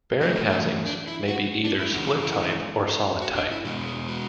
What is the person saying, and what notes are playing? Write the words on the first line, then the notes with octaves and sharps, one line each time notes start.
Bearing housings may be either split type or solid type.
F#2 E3 A3 D4
C#4
D4
D4
E4
F#4
D4
E4
F#2 E3 G#3 C#4 F#4
E4
D4
E4
F#4
D4
E4
B2 G#3 B3 F#4
G#4
F#4